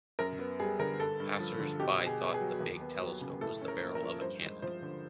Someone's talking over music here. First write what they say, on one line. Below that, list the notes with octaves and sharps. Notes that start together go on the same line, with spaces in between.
Passers-by thought the big telescope was the barrel of a cannon.
F#2 A#4
B3
G3 G#4
D3 A#4
G2 A4
G2
F3
D3
B2 G4
B2
G#4
B3
G#4
F#3
D#2
B3
F#3
C#3
A2 A4
C#4
A#4
A#3
A#4
F3
G2 C5
G#3
F3 C5
D3